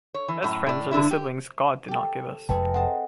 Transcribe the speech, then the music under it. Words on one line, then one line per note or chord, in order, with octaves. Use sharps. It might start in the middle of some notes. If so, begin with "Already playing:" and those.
Best friends are the siblings God did not give us.
C#5
E3
F#2 A2
A2 D5
G2 D3 D4 E4
G4
G4 A4
F1 F2 G#3 G#4 B4 E5 G5 A5
C4 A4 D#5 F#5 A5